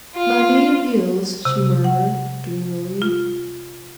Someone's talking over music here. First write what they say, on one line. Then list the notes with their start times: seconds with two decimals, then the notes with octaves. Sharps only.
"My native hills!" she murmured, dreamily.
0.15 F4
1.45 C3
1.84 F#5
3.02 F4